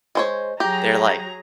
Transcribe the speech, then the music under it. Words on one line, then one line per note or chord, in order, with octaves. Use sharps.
they're like,
G#3 C5 C#5
F#3 G4 G#4 A#5